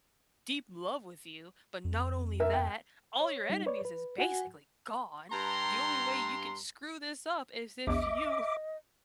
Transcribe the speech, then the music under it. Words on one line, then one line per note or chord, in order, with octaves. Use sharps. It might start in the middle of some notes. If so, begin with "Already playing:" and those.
deep love with you, but not only that, all your enemies is basically gone. The only way you can screw this up is if you
F2
A#4 E5
G5
C#5
G3 D#4
B4 C#5 D5
B4
F#4 F#5 G#5
G2 A#5 C6
A#1 E2 D#5 E5 D6